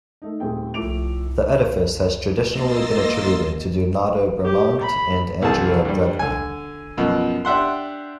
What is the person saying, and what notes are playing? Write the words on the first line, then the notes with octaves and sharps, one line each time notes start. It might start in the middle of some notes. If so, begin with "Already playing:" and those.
The edifice has traditionally been attributed to Donato Bramante and Andrea Bregno.
A3 D#4
D#1 A3 C4 G#4 G5
A2 F3 A3 D6 D7 F7
A#3 D#5 C6 E6 A6 A#6
G4
B5
C2 E3 C4 G#4 A5
G2 G3
D3 G#5
F#2 B2 F3
D4 G4 E5 F#5 C6